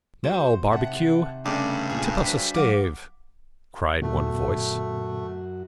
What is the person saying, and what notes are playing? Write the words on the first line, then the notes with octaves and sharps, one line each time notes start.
"Now, Barbecue, tip us a stave," cried one voice.
A3 F#4 C5
C3 D#3 F#5 A5
G2 C#3 A3 C#4 D5
D2 A#2 G#4 C#5
F#4 C5 D5 B6
F#3 F#4 F5 D6
F#2 A#2 D3 A3 B3 F#4